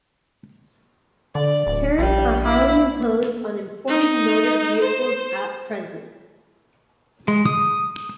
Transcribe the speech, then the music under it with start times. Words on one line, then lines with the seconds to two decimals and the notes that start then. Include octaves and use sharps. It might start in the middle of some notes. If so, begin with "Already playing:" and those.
Tariffs are highly imposed on imported motor vehicles at present.
1.35 D3 D5
1.67 D1
1.98 A#1 G3
2.45 E4
3.88 D#4
4.81 C5
7.28 G#3
7.45 D#6